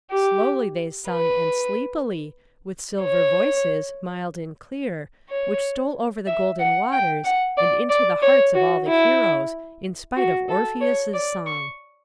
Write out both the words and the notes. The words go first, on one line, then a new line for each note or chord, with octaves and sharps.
Slowly they sung and sleepily, with silver voices, mild and clear, which stole over the golden waters, and into the hearts of all the heroes, in spite of Orpheus's song.
G4
B4
C#5
C#5
E5
F#5
G5
F#5
D5
D5
C#5
F#4
E4
F#4
A4
C#5
D5
C#6